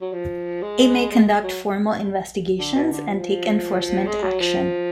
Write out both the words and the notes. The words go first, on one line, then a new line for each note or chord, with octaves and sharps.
It may conduct formal investigations and take enforcement action.
F#3
F3
G#3
G#3
G#3
F#3
D3
B2
D3
F3
G#3
F#3
F3